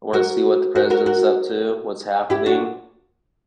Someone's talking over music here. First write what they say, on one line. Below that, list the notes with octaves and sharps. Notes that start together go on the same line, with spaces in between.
I wanna see what the president's up to, what's happening.
F#4 A#4
F#4 A#4
F#4 A#4
F#4 A#4
E4 G4
D4 F#4